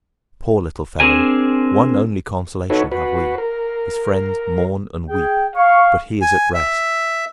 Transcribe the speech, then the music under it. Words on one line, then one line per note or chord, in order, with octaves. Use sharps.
Poor little fellow! one only consolation have we; his friends mourn and weep, but he is at rest.
C4 D4 G#4 A#4 G#5
D#4 F#4 A4 B4 C#5
F#4 B4
A#4
G#4 G5
F5 C#6
G#5
E5